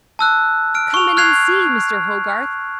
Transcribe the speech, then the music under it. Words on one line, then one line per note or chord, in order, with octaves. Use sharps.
Come in and see Mr. Hogarth.
A5 E6 F#6
F6 D7
C#6 F7
F6 F#6 G#6 C7 F7